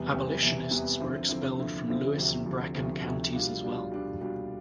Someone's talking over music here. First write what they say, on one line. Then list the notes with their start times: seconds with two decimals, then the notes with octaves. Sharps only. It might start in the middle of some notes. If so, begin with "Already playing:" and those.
Abolitionists were expelled from Lewis and Bracken counties as well.
Already playing: E2 C3 E3 G3 B3
0.13 E2 C3 E3 G3 B3
0.42 E2 C3 E3 G3 B3
0.70 E2 C3 E3 G3 B3
1.00 D3 F3 C4 E4
1.29 D3 F3 C4 E4
1.59 D3 F3 C4 E4
1.88 D3 F3 C4 E4
2.17 D2 C3 F3
2.45 D2 C3 F3
2.75 D2 C3 F3
3.03 D2 C3 F3
3.33 B2 G3 D4 F4
3.61 B2 G3 D4 F4
3.91 B2 G3 D4 F4
4.20 B2 G3 D4 F4